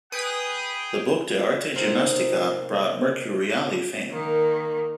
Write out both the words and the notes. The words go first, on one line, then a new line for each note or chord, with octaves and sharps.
The book "De Arte Gymnastica" brought Mercuriale fame.
G#4 B4 G5 D#6
C3 A3 A#3 D#4 A4 C5
D#3 A#3